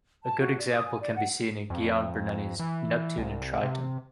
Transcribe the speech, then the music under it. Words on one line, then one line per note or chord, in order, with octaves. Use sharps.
A good example can be seen in Gian Bernini's "Neptune and Triton".
A5
F#4
D5
D#6
G#5
D5
F#5
F2
E3
C2
C3